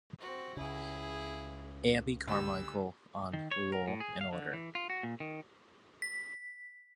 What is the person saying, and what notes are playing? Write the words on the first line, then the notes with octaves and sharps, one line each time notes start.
Abbie Carmichael on "Law and Order".
C4 F#4
C#2 C#3 E4 G#4
D2 G3 E6
D#3
C#5
A#4
A2
G#4
F5
D3
E3
F4
F#4
A#2
D#3
B6